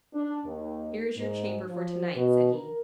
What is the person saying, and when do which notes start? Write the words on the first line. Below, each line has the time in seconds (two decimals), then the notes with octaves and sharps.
"Here is your chamber for to-night," said he.
0.14 D4
0.46 D#2
1.16 G#2
1.68 F3
2.16 B2
2.53 A#4